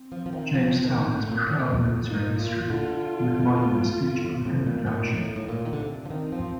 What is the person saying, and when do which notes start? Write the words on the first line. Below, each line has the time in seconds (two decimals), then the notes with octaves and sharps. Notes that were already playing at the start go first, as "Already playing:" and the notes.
Jamestown has proud military history, with monuments featured within the township.
Already playing: C4
0.12 F3
0.26 F3
0.33 D#3
0.54 F3
0.85 D#3
1.15 D3
1.31 A#2
1.47 A2
1.62 A#2
1.77 A2
2.08 A#2 D#4
2.39 A#2 F4
2.70 D3
4.18 D3
4.25 C3
4.45 A2
4.67 A#2
4.86 A#2 D#4
5.18 A2
5.36 A2
5.48 A#2
5.65 D#3
5.73 D3
5.80 C3 D4
6.05 F3
6.10 D#3 C4
6.32 F3